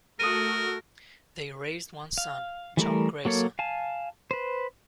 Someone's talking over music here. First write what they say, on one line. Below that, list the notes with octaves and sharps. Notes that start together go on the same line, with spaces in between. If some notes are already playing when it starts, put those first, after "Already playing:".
They raised one son, John Grayson.
A3 F#4 A4 A#4 D#6 D#7
F5
E3 G3 A3 A#4
F#3 A#3 A4 C#5
F5 G#5 A5
B4 C5